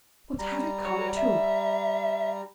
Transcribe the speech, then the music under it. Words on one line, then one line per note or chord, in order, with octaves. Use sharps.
"What have it come to?"
G3 A#5
F#4 C#5
E5